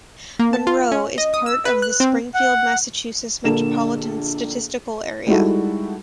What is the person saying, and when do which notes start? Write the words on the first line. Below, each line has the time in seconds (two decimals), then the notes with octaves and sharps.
Monroe is part of the Springfield, Massachusetts Metropolitan Statistical Area.
0.39 A#3
0.53 A5
0.67 F4
0.92 C#4
1.18 D#5
1.34 D#6
1.46 E6
1.65 B4
1.82 F#6
2.00 C4
2.34 F#5
3.44 A#1 D3 A#3 A4 E7
5.27 G3 G#3 D#4 E4 F#4 A4